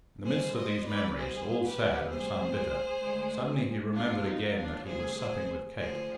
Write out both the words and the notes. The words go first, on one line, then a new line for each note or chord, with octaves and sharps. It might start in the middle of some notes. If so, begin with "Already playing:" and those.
In the midst of these memories, all sad and some bitter, suddenly he remembered again that he was supping with Kate.
B2 G3 G#4 C5
C5 D#5
B4 D5
B2 G3 G#4 C5
G4 B4
D2 C3 G3 G#4 C5
D2 D3 G#3
B2 G#3 D4 F4
D#4
D4 F4
D2 C3 G3 G#4 C5
G#4 C5
D2 D3 F3 G#4 C5